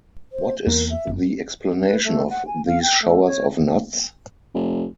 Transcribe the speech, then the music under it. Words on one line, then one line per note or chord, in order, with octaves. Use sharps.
What is the explanation of these showers of nuts?
C5
E2 A#3 A#4
E5
F#1
B4
A3
F#5
G#5
F5
G5
A3
C#5
F1